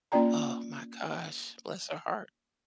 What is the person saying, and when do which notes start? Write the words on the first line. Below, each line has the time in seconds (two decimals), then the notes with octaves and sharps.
Oh, my gosh, bless her heart.
0.12 A#3 C#4 F4 D5 G5 A#5